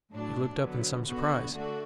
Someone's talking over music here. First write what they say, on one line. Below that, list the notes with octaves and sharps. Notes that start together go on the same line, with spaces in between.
He looked up in some surprise.
A2 F#3 D4
D3 F#3 B3
D3 B3 F#4
D3 A3 D4 F#4